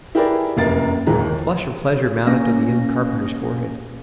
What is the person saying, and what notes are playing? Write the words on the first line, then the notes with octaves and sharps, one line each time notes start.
The flush of pleasure mounted to the young carpenter's forehead.
E4 G4 G#4 A#4 B4 D5
F1 F#2 A#3 A6
D#1 A#2 E3 G#3 A#5
D#2
A#3 C#4 A#6